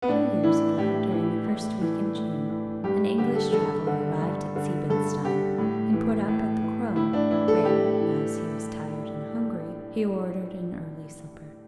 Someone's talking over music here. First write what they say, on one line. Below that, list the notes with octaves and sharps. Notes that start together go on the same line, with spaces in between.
Two years ago, during the first week in June, an English traveller arrived at Siebenstein and put up at the "Krone," where, as he was tired and hungry, he ordered an early supper.
B3
A2 D4
E3 E4
A2 G4
E3
A2
E3
A2
E3
G2 G4
D3 G4
A4
G2 A4
D3
G2
D3
G2 A4
D3 G4
A2
E3
A2
E3
A2 E4
D4
E3 E4
A4
A2 G4
E3